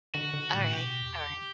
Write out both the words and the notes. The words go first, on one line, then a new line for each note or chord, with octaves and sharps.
Alright. Alright.
D3 F#4
D3
A2
B2 G4
E2